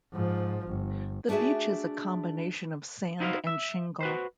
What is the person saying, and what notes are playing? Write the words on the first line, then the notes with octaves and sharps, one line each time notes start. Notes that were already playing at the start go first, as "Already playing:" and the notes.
The beach is a combination of sand and shingle.
G#2 F3
G1
A3 D4 F#4 G#4 E5
D#4 E4 F#4 C5 E5 F5
E5
F#4 B4 C5